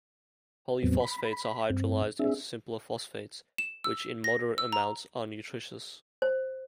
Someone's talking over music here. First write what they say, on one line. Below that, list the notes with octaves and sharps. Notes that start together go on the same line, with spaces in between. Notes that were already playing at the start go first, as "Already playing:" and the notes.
Polyphosphates are hydrolyzed into simpler phosphates, which in moderate amounts are nutritious.
E2 A2 F#3 B3 C4
B5
G2 C4
C4 D4 G#4 E5
E7
E6
A#6
E6
A#5
C5